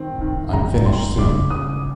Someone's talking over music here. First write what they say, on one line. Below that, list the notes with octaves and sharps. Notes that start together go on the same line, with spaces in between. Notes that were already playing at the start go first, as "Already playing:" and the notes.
I’m finished soon.
Already playing: D#3 C4
D#3
G#3 A#5
D#3 C6
C#3 D6
C#3 D#6